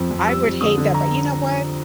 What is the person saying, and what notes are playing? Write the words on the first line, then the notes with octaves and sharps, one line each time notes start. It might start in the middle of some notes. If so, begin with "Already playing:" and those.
I would hate that, but you know what?
Already playing: F2
F2
G3 E6
F2
D3 D#6
D3
A#5